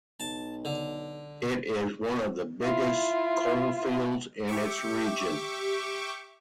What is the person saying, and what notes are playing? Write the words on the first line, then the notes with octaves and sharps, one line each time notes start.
It is one of the biggest coal-fields in its region.
B1 A5
D3
E4 F4
G4 E5 C#6 D6